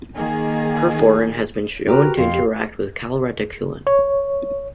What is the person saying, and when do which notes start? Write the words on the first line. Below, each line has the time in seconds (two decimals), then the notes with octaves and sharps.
Perforin has been shown to interact with calreticulin.
0.15 D#3 A#3 G#4
1.88 F#4 G4 A#4 B4 A#5
2.17 F2 F5 C6
2.33 G4
3.87 C#5